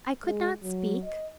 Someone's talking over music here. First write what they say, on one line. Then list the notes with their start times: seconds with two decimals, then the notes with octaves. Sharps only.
I could not speak.
0.24 G#3
0.62 F#3
1.02 D#5